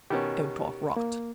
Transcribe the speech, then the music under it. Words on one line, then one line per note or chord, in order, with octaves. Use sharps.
"Don't talk rot!"
B2 D#3 C#4 G4
A#3